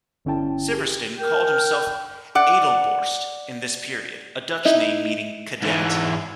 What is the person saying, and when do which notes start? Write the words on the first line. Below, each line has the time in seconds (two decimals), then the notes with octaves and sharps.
Sivertsen called himself "Adelborst" in this period, a Dutch name meaning "cadet".
0.25 G1 D3 C#4 E4 G5 A5
0.73 G4 G#4
1.19 A#4 G5
2.35 D5 F#5
4.65 D#4 E4
5.63 G#2 E3